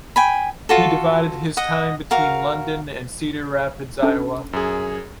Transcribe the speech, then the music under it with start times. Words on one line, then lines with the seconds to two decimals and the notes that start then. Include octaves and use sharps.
He divided his time between London and Cedar Rapids, Iowa.
0.16 G5 G#5 B5
0.69 F4 F#4 A4
1.57 D#5 F#5
2.11 F#4 A#4 F5
4.03 C#4 D4 A4
4.53 F#2 G#4